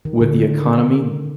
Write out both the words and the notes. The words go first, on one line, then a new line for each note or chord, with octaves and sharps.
with the economy
D#3
D3
D#3